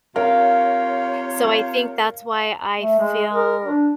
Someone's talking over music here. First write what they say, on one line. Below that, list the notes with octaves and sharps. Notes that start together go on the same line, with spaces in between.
So, I think that's why I feel,
C3 F4 A#4 C#5 F5
A3
G#3
A#4
D4